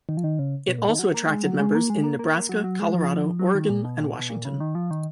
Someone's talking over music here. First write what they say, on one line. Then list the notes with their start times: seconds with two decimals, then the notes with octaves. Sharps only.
It also attracted members in Nebraska, Colorado, Oregon and Washington.
0.09 D#3
0.17 F3
0.24 D#3
0.39 C#3
0.68 B2
0.78 A#2
0.89 D#3
0.99 F#3
1.14 A#3
1.29 G#3
1.44 F#3
1.60 G#3
1.75 A#3
1.90 G#3
2.04 A#3
2.19 A#3
2.49 F#3
2.64 F#3
2.80 G#3
2.94 F3
3.39 F#3
3.55 D#3
3.70 A#2
3.84 B2
3.99 A#2
4.15 B2
4.30 A#2
4.45 C#3
4.60 D#3
4.75 F3
4.91 D#3